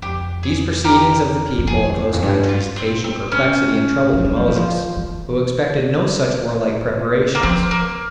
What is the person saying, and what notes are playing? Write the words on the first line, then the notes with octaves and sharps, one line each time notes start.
These proceedings of the people of those countries occasioned perplexity and trouble to Moses, who expected no such warlike preparations.
F2 G4
G#4
G4 A#4
E2
F2 G#4
F2
E2
F2
G2
F4
C4
C4
C#4
F3
G3
F3
E3
F3
E3
A#3
F3 C4
A#3